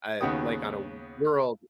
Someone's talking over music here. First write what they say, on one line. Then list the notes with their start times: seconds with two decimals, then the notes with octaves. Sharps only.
Uh, like, on a w world
0.21 D#2 C#3 B3 F#4 G5 D#6